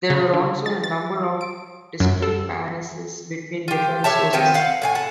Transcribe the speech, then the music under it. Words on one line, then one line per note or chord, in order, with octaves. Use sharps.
There are also a number of discrepancies between different sources.
C#3
D3
A6
A6
D7
F#2
A4
F4 G4
G4 C#5 E5 A5
D#3 F3 B3 C4
F5 F#5
A2 F#4 G#5
F#5 A5